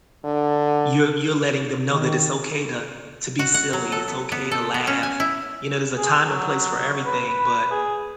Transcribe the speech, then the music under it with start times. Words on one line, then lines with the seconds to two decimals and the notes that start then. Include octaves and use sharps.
you're you're letting them know that it's okay to to be silly, it's okay to laugh. You know, there's a time and place for everything, but
0.24 D3
1.91 D#3
3.39 F#4
3.54 F#5
3.73 F#3
3.92 A4
4.08 B3
4.32 B3
4.51 A4
4.74 B3
4.87 C#4
5.03 G#5
5.20 E4
5.98 G#4
6.27 F#3
7.06 B4
7.28 B4
7.72 G#4